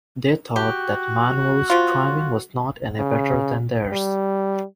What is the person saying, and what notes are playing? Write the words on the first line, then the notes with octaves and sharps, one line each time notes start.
They thought that Manuel's driving was not any better than theirs.
F#4 G4
F3 F4
C#3
G3